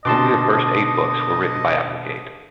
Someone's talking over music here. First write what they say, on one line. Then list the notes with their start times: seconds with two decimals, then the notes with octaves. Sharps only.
Only the first eight books were written by Applegate.
0.05 B2 D3 D#5 A5 C6 D6